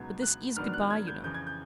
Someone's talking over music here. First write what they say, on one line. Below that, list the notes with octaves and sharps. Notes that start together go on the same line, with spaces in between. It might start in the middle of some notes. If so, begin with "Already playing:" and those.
But this IS good-bye, you know.
Already playing: C#2 B2 F#3 B3 D#4 G#6
F#6
G#2 D#3 F#3 B3 D4 F6
F6
F#6
G#6
G6
F2 C#3 E3 G6
G#6
G6